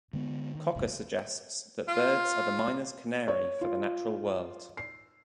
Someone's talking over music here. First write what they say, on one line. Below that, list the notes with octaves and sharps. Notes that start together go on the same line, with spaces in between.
Cocker suggests that birds are the miner's canary for the natural world.
D3 G#3 B3
D#3
F1 C2 G#2
F4
C#5
F4
C7